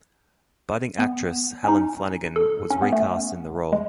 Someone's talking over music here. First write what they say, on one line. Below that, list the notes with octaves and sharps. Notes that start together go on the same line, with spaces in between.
"Budding actress" Helen Flanagan was recast in the role.
B3
C#4
D#4
A4
C#4
B3
A3
G#3